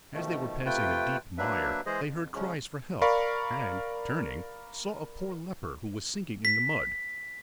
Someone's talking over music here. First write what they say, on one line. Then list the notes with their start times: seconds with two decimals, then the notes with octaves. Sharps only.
As they were passing a deep mire they heard cries for help, and turning, saw a poor leper who was sinking in the mud.
0.14 B2 D#3 F3 A3
0.65 C3 A3 F4 B4 G5
1.38 F#3 A#3 D4 B4 E5
1.86 E3 G#3 G#4 C5 D#5
2.05 F2
2.34 C#3 F3 G#3 C#4
3.02 A#4 D5 F5 B5 C#6
6.45 B6